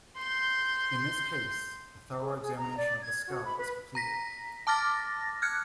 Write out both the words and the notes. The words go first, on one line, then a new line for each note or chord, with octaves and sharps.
In this case, a thorough examination of the skull is completed.
C6 G6
G#4
G#4
A#5
D5
G#6
F#4
B5
B4
A#5 A#6 B6
A5 D6 F6 A6 A#6
F6 F#6 G#6 C#7